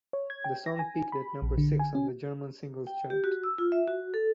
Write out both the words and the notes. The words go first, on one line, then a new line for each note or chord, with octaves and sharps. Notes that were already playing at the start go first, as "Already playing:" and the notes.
The song peaked at number six on the German Singles Chart.
C#5
G#6
G5
A#6
G#5
B5
A#1
D3
G#5
C#4
G5
G4
F#4
E6
F4
E5
F#4
A4